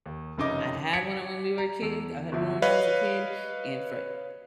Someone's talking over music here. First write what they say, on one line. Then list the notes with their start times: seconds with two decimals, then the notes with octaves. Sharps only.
I had one, uh, when we were kids. I had one when I was a kid, and for r
0.06 D#2
0.37 F1 F#2 C#3 D#4 D#5 D6
0.93 G#6 B6 C#7 D7
1.58 A#5
1.82 E2 A4
2.32 G1 F3 E4
2.62 B4 C#5 D#5 F5